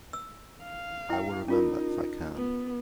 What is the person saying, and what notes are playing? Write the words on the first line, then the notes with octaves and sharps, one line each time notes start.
I will remember, if I can!
E6
F5
E4 G5
C#4 D#4 F4 A#4
B3